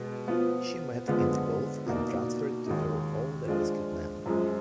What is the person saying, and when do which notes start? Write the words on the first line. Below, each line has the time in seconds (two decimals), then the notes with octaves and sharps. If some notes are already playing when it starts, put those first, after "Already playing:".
She met in the Gulf and transferred to her all the rescued men.
Already playing: B2 G#3 B3
0.28 F3 B3 F4
1.07 D3 F3 G#3 B3 F4
1.86 B2 A#3 D#4 F#4 D5
2.66 D#2 D#3 G#3 D#4
3.46 F3 G#3 D4 F4
4.26 F#2 F3 G#3